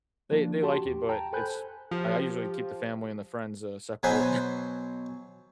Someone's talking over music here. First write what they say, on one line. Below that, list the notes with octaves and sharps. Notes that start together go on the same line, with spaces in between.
they they like it, but it's I I usually keep the family and the friends, uh, separate
F3 A#3 D4
F#4 G4 A5 C6
E2 G4
G5 A5 A#5
A4 C5 G#5 B5 F#6 G6
F3 G4
B2 F#3 B4 C5 G#5 B5